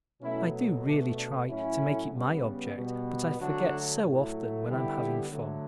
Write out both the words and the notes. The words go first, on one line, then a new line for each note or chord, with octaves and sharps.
I do really try to make it my object but I forget so often when I'm having fun.
B2 F#3 A3 C#4 E4
B2 A3 D4
D4
A2 F#3 A3 C#4 E4
C#3 G3 B3
B2 G3 B3
D3 F#3 A3 D4 F#4
A2 F#3 A3
D3 G3 B3 E4 G4
D3 F#3 A3